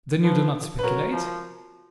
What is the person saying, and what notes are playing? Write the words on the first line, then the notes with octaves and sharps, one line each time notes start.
"Then you do not speculate?"
F3 B4
B4
F#3 A#4
F3